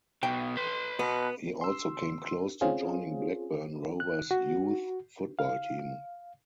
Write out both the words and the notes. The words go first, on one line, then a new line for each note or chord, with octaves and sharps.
He also came close to joining Blackburn Rovers' youth football team.
B1 B2 G5
B4 C6
B2 B3
C6 E6
C4 C#4 F4 G#4
F#6
F#4
F5